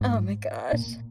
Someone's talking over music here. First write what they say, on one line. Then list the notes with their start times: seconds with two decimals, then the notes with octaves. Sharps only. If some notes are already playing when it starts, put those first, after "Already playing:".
Oh my gosh.
0.01 G#2
0.73 A#2